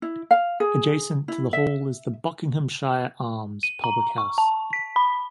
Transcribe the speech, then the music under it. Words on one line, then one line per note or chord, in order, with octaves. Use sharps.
Adjacent to the hall is the "Buckinghamshire Arms" public house.
E4
F5
G#4
E4
E5
D#7
A#5
C#6
A5
B6
B5